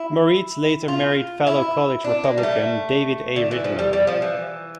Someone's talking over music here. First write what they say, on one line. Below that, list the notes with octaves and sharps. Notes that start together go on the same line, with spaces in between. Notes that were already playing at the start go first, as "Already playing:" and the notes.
Moritz later married fellow College Republican David A. Ridenour.
Already playing: E4
F4
E4
D4
A#3
G3
A3
D3
E3
F3
G3
G3
F3
E3